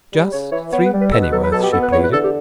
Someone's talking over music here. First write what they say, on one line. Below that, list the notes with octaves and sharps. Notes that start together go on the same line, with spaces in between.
"Just threepennyworth," she pleaded.
G3
C#3 C#5
E3 C#5
B3 C#5
B4
G3
B4
B2 A4
B4
F#3 A4
B4
B2 A4
G4
B3 A4
B4
E2 C#5
B4
D3 A4
G4